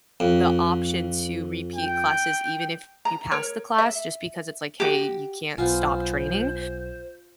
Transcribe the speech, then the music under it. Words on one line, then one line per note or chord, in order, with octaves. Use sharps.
the option to repeat classes even if you pass the class just because it's, like, hey, you can't stop training.
F2
G5
A#5
A#4 C#5
E5
F#4 G4
B1 B3 F4 C5 G#5